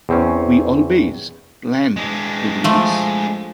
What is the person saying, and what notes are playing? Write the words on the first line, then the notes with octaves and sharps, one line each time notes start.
We always planned to do this.
E2 C4 C#4
G#3 D4
F3 A3